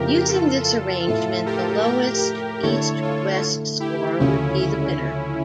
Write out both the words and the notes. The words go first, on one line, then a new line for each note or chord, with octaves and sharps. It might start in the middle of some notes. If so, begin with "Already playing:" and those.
Using this arrangement, the lowest East-West Score would be the winner.
Already playing: F2 C#3 F3 A#3 E4 G4 A#4
F4 A4
A2 F3 A3 E4 F4 A4
G4 A#4
G4 A#4
D3 A3 E4 A4 C#5
F4 A4
E4 G4
D2 C#3 F3 A3 C#4 E4
C#4 E4